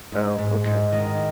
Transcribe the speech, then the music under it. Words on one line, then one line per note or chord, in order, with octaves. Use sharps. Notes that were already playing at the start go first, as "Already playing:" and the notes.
Oh, okay.
G#2
G#2
G#2
D#3